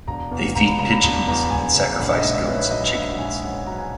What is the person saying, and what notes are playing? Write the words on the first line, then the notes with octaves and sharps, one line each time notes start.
They feed pigeons and sacrifice goats and chickens.
E1 A#5
E2
E1 A#5
B5
C#3 A#5
B5
E1 A#5
B5
E2 A#5
E1 G#5
C#3
A#1 F#5
E5
D#5
G#2 E5
E5
C#4 B4
B4
F#3 D#5
E5
A#1 E5
F#5
G#2 G#5
C#4 F#5
G#5
F#3 A#5
G#5